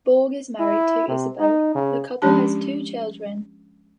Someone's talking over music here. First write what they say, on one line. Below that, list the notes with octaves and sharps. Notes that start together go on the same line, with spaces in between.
Borg is married to Isabelle; the couple has two children.
E4
C3
D#4
C#3
F3 G#3 C#4 D4 G4 A5